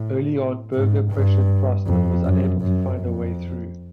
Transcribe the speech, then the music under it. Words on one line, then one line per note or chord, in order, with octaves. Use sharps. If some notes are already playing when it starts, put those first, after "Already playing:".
Early on, Berger pressured Prost but was unable find a way through.
Already playing: A2
G#2
G2
F2
F#2
F#2
F2